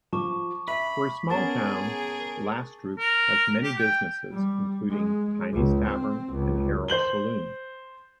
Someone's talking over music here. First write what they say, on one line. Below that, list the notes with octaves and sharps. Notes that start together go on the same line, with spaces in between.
For a small town, Lastrup has many businesses, including Tiny's Tavern and Harold's Saloon.
F3 A5 C#6 D6
E5 B5
B3 C#4 G#4 A#4 A5 A6
A#4
G4
G5
G3
G#3
C#2
C4
C#2
C5 G6 F#7 G7